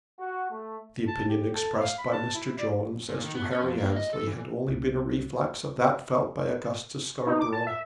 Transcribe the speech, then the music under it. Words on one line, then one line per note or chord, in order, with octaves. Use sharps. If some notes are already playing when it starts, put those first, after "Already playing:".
The opinion expressed by Mr. Jones as to Harry Annesley had only been a reflex of that felt by Augustus Scarborough.
F#4
A3
A5
G4
A4
F5
B5
A5
E4
D5
A#2
D#3
B3
C#4
F2
A#3
D#5
A4
E3
C2 B2
D#4
D6
A5
E5